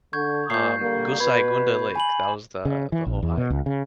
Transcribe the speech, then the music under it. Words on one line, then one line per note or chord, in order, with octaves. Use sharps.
um, Gosaikunda Lake, that was the, the whole hike,
D3 C#6 G6 G#6
A#2 G6 C7
D3 G3 A#3
B2 B4 B5 G#6
G#5 B5 F#7
C#3
E3
A#1
E2
B2
C#2
C#3